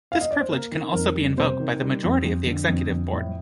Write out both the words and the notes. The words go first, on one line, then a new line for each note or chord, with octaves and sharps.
This privilege can also be invoke by the majority of the Executive Board.
F5
D#5
D5
C5
A#3 A#4
D#3
F2 A#4
G3
C3 C5
D#3
G3
F2
F2
D3
F2
F2
A2